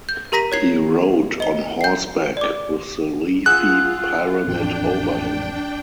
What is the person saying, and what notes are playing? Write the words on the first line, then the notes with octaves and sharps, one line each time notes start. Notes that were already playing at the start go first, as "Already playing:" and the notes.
He rode on horseback with the leafy pyramid over him.
G6
G4 A#4 A#5 A#6 B6 D#7
C#5 G#6 C7
D#5 G7
G6 C7
D5 D6
F4 G#4 F#5 E6 F#6
A1 F2 D4 G5